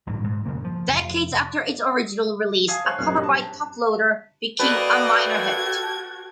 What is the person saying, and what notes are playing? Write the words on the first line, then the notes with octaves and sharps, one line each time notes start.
Decades after its original release, a cover by Toploader became a minor hit.
A1 G2 A#2 D3
G#2
D#1 G2 C#3 A#3
F3
F1
F5 G#5 A5 D#6 G#6 C7
C5 C#5 G#5 C#6 F#6
A#1 F#2
G2
A5
A#3 F#4 A4 B4 D5 D#5 G5 A5
G#6